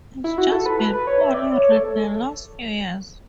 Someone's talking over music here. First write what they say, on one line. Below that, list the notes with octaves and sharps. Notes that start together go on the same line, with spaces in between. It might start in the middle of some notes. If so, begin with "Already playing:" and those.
It's just been poorly run the last few years...
E4
F#4
A4
B4
B4
B4
C#5
E5
D5
C#5
A4